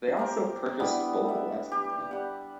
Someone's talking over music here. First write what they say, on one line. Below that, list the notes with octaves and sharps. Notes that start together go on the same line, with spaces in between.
They also purchased the Bulova Watch Company.
G4 A#4 C5
G3 B3 D4 E4
E5
G4
G3 F#5